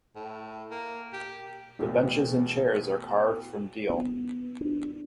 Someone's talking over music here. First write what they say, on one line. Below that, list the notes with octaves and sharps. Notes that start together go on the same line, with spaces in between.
The benches and chairs are carved from deal.
A2
A#3
G4
A1 E2 B2
B3
D4